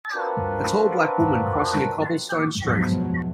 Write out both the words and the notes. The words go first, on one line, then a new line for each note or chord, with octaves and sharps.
A tall black woman crossing a cobblestone street.
C4 D4 F4 F#4 A#4 B4
D#2 G#2 B2 F3 F#3 B3
E2